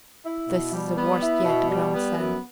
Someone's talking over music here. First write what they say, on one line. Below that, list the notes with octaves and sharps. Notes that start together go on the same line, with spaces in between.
"This is the worst yet!" groaned Sam.
E4
B2
G3
B3
E4
B2
G3
B3
F#2